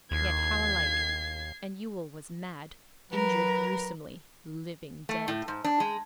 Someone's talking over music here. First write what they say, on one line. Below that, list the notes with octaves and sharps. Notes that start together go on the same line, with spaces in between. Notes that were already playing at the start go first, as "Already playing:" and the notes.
Yet how alike-- And Ewell was mad, injured gruesomely, living dead.
D#2 G#6 C7
F#3 A#4 B4
A3
A2
G#2
D4
G#3